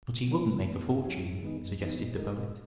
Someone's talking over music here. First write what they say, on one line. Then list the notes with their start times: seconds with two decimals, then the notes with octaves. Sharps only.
"But he wouldn't make a fortune," suggested the Poet.
0.08 A#2
0.28 F#3 C#4
0.47 C#3
0.65 E3 B3
0.85 G#2
1.04 F#3 C#4 E4 G#4
1.24 G#2
1.43 D#3 G#3 B3 D#4
1.62 F#2
1.81 E3 B3 D#4
1.99 A#2
2.18 G#3 D#4 A#4
2.37 G#2